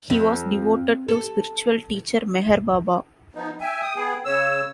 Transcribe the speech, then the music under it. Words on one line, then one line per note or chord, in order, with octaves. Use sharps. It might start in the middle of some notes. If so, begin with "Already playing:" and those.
He was devoted to spiritual teacher Meher Baba.
F2
A4
F3 B3 D#4
E5 G5 G#5
D#6
B3 G#4
C#3 C#5 E6